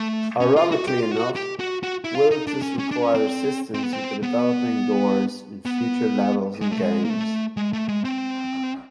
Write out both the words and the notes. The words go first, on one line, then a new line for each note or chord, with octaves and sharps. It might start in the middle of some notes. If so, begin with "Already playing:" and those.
Ironically enough, Willits required assistance with developing doors in future levels and games.
Already playing: A3
C#4
F4
F#4
G4
F4
F#4
G4
F#4
F#4
E4
F4
D#4
D4
C#4
C#4
D4
C#4
C4
C4
B3
C4
B3
B3
G#3
A3
G#3
A#3
A3
G#3
A3
G#3
C4